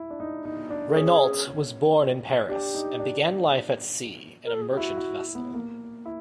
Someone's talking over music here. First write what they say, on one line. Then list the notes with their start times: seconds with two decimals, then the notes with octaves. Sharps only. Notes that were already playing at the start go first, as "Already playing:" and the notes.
Regnault was born in Paris, and began life at sea in a merchant vessel.
Already playing: E4
0.10 D4
0.20 D#4
0.45 D#4
0.70 D4
0.89 A4
0.96 C#4 G#4
2.48 D4 G4
2.74 D#4
3.00 D4
4.45 A#4
4.54 A4
4.62 G#4
4.70 G4
4.77 E4 F#4
4.97 E4
5.35 B3
5.54 A#3
6.06 E4